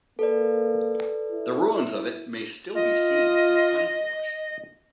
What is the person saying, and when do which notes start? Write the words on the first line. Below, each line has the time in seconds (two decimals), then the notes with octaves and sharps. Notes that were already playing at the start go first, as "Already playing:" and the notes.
The ruins of it may still be seen in the pine-forest.
0.19 A#3 A4 B4 D5
1.32 E4
2.75 F4 D#5